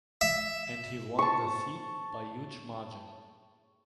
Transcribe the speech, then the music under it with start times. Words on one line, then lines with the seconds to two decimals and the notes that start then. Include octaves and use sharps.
And he won the seat by huge margin.
0.21 E5
1.19 A5 C#6